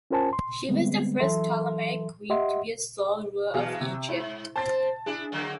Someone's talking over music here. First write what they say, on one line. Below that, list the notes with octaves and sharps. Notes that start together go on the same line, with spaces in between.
She was the first Ptolemaic queen to be a sole ruler of Egypt.
C#4 F4 A#4 C5 G#5 A5
C6
D3 G3 G#3 B3 C4
E3 F#3 A4 E5 C6
G4 D#5 E5 F#5 C6
B2 E3 F#3 G#4 F5
C3
G#2 E4
C4 C5 A5 A6
D4 E4 G#4
D3 F#3 A#3